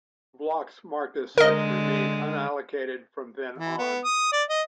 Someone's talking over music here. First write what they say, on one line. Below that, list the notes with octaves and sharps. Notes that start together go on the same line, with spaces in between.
Blocks marked as such remain unallocated from then on.
D3 G#3 A#4 D#5
E3
B3
D#6
D5
D#5